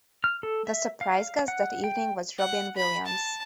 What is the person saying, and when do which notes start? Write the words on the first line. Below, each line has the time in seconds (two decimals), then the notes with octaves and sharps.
The surprise guest that evening was Robin Williams.
0.24 F6
0.43 A4
0.67 E5
1.01 F5
1.48 F#5
1.84 G5
2.38 F#5
2.76 B5
3.06 A5